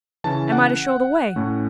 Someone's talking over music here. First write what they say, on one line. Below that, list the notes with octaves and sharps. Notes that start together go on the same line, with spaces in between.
Am I to show the way?'
C#3 E3 C#4 A5
F#5
A2 A3 C#4